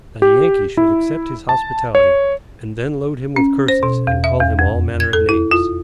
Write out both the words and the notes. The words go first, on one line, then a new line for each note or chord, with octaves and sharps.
That a Yankee should accept his hospitality, and then load him with curses and call him all manner of names!
G4
E4
A5
C#5
C#4
C5
B2
E2
E5
E2
F2
G#6
A4
E4
F4